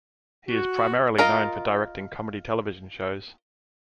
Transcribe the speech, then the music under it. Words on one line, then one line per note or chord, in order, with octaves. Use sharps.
He is primarily known for directing comedy television shows.
F#4
F4 A#4 D#5